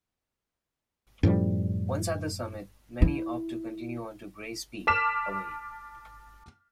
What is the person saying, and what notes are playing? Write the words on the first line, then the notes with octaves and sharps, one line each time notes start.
Once at the summit, many opt to continue on to Grays Peak, away.
F#2 A2 F3 G3
E4
A5 D6 F6 B6 E7